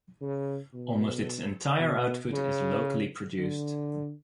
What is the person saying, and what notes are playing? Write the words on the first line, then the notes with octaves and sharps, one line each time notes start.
Almost its entire output is locally produced.
C#3
B2
B2
C#3
D3